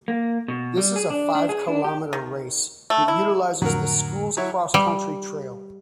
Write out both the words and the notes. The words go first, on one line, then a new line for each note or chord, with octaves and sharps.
This is a five kilometre race that utilises the school's cross country trail.
A#3
B2
G3
G#4
D4
D4
G#4
D4
G4
D#3
A3
E4
F2 A2 D3 F#3 A#4
F#3 E4 C#5
G3